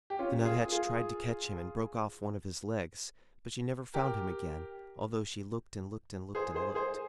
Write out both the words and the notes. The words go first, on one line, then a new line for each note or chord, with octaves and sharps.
The Nuthatch tried to catch him and broke off one of his legs, but she never found him again, although she looked and looked and looked and looked.
G4
C#4 F4
F4 G#4
F4 G#4
G4 A#4
G#4 C5
G#4 C5
G#4 C5